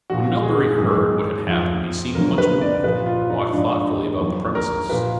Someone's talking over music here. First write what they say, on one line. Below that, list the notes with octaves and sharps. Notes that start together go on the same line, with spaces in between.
When Melbury heard what had happened he seemed much moved, and walked thoughtfully about the premises.
A#2 F3 F#4
G#4
G#2 D#3 F#3 G#4
F2 F3
F2 D3 F#3 A#4
B4
D5
D5
A#2 F3 B4
F4
D#4
G#2 F3 D4
D#4
F2 D#3 F#3
A#4
A#2 F3 B4